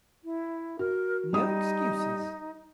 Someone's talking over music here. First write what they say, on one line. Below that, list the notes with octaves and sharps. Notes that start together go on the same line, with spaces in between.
No excuses!
E4
F#4 A#4
G3 D#4 D#6